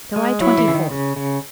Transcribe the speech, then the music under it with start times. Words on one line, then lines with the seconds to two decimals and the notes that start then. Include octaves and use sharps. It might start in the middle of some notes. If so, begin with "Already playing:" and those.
July Twenty-fourth.
0.16 G#3
0.40 F#3 E4
0.58 E3
0.68 C#3
0.75 D#3
0.91 C#3
1.16 C#3